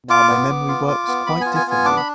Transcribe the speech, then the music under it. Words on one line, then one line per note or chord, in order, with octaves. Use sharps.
Now my memory works quite differently.
F4 D6
B3
B3
F4
F4
B3
B3 B5
F4 G#5
G#5
B3 G#5
D4 D6
B5